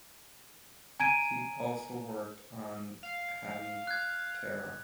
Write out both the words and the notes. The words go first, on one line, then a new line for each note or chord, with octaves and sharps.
He also worked on Hemiptera.
G#5 A#5 G#6 D7 D#7
F5
F#6 G#6